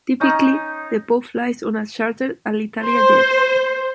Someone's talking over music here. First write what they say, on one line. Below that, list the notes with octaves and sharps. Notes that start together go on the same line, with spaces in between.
Typically, the Pope flies on a chartered Alitalia Jet.
C#4 D#4 D#6
C5